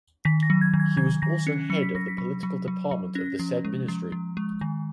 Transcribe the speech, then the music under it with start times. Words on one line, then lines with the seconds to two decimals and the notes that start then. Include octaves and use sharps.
He was also head of the Political Department of the said Ministry.
0.25 D#3 B6
0.43 A#6
0.50 F#3
0.61 G#6
0.74 D#3
0.80 G#6
0.97 D#3 G#6
1.22 D#3 A#6
1.47 C#4 C#7
1.70 F#3 C#7
1.83 B6
1.95 F#3 A#6
2.08 B6
2.18 F#3
2.43 F#3
2.68 F#3
2.91 F#3
3.15 C#4 A#6
3.39 F3
3.65 G#3
3.88 F3
4.12 F3
4.37 G#3
4.61 D#3